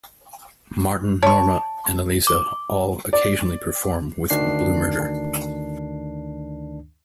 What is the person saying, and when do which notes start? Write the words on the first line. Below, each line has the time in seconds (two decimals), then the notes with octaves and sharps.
Martin, Norma and Eliza all occasionally perform with Blue Murder.
1.23 C#5 A5 C#6
2.27 D6
3.13 D5
4.30 D2 D#3 D4 C7